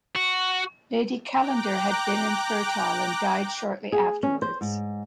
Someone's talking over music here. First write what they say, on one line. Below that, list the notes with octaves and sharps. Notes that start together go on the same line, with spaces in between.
Lady Callender had been infertile and died shortly afterwards.
F#4
G5 A#5 D6 F#6
G#4
C#4
C5
G#2